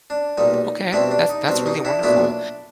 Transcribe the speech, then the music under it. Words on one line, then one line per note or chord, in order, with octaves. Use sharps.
Okay. That's that's really wonderful,
D4
B1 A#2 G3 D#4
B2 G3 C4 D4 E4
D4
D#4
B2 G3 C4 D4
D#4
D4 E4
B1 A#2 F#3 B3 D4 E4